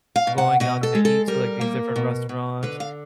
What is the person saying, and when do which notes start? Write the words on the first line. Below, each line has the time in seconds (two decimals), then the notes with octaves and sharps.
going out to eat to, like, these different restaurants,
0.16 F5
0.27 B2
0.38 F#5
0.60 B2 D#5
0.83 A4
0.95 G#3
1.05 A4
1.28 G3 A#4
1.61 A#3
1.96 B2
2.29 B2
2.63 D3 B4
2.80 F5